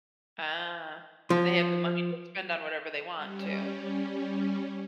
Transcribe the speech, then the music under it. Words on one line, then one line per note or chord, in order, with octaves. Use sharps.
Ah. And they have the money to spend on whatever they want, too.
F3
G3 C#4